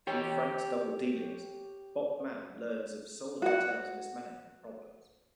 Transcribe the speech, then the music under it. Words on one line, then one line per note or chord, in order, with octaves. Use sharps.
Through Frank's double dealings, Bok-man learns of Seoul Hotel's mismanagement problems.
G4 C#5 G5
F#4 F#5